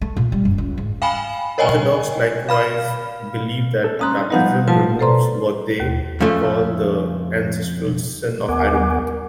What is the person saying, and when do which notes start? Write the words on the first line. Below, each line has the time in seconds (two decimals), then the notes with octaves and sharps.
Orthodox likewise believe that baptism removes what they call the ancestral sin of Adam.
0.01 A3
0.17 A#2
0.32 G3
0.45 F#1
0.58 C#2
0.78 G#2
1.02 F5 G5 G#5 B5
1.58 A#4 C#5 D#5 G5 G#5
2.49 F5 B5 F6
3.84 A4
3.99 C#4 F5 A#5 C6 D#6 F#6
4.30 F3 G3 B3 D#4 F#5 G6
4.67 F3 F4 B4 A5
4.99 A4 B4 C5 D5 A#5 C6
5.80 D#2
6.21 F2 C#3 A3
8.49 D#2 B3 A#4 F#5 G#5 D6